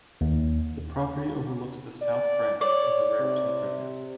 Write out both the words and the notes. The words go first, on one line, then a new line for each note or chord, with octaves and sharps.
The property overlooks the South Branch of the Raritan River.
D#2
D5
C#5 D5
C3